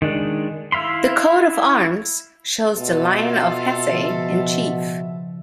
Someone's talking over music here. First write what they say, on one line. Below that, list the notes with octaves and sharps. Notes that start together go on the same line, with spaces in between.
The coat of arms shows the lion of Hesse in chief.
D#3 G#3 D4
E4 E5 F5 B5 C6
B2 F4 A4 E5
C#3 F3